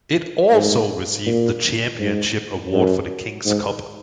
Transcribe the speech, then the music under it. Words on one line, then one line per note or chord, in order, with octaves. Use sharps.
It also received the championship award for the King's Cup.
G#2
A#2
G#2
F#2
G#2